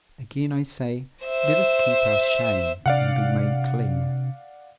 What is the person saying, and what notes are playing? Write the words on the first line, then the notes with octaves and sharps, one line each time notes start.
Again I say, let us keep our shame and be made clean!
C5 E5
C3 D4 D5 F5 F#5